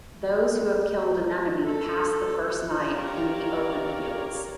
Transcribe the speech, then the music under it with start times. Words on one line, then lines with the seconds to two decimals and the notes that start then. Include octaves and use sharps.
Those who have killed an enemy pass the first night in the open fields.
1.64 A4
2.75 F4 G4 A#4 C#5 D5